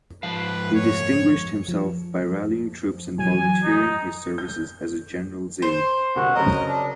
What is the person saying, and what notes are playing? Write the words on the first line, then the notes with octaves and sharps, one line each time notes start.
He distinguished himself by rallying troops and volunteering his services as a general's aide.
G#2 F3 B4 F5
C#5
F3
E3 F#3 G#5
D#4
G6
C5
C2 D3 F#4 A#4
C#3 F#3 C4 A#4 D#5
D4